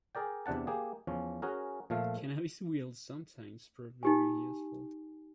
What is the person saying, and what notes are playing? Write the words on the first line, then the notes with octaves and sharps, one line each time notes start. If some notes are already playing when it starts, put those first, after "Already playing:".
Cannabis will sometimes prove very useful.
G#4 A#4 D5 G5
E2 C3 D4 F#5 A5
A#3 G4 G#4
E2 F3 C#4
C#4 F#4 G#4 A#4
A#2 F3 A3 F5
D#4 G4 G#5